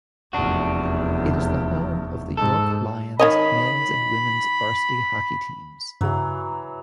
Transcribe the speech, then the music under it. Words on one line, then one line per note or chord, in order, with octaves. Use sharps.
It is the home of the York Lions men's and women's varsity hockey teams.
F1 E2 D4 F#4
G#2 A4
D#3 C#5 D#5 B5
G2 C#3 E3 F#3